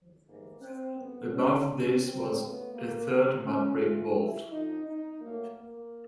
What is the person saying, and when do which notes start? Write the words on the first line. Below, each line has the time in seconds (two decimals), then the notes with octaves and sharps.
Above this was a third mudbrick vault.
0.26 G#2 E3 G3 A#3
0.61 C4
0.96 F#2 D3 G3 B3
1.32 C#4
1.68 B2 G#3 C#4
2.02 C4
2.38 D2 C#3 F#3 A3 B3
2.74 A#3
3.09 D2 C#3 F#3 A3 C4
3.45 C#4
3.79 A2 E3 G#3 F4
4.16 E4
4.51 F2 D3 F3 D#4
4.86 D#4
5.21 A#2 F#3 A3 A#3
5.56 A#3